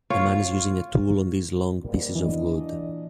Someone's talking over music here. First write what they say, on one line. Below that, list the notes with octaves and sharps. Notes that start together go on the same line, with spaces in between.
A man is using a tool on these long pieces of wood.
F4 C#5
G#2 G3 A#3
A#2 E3 D4 D#5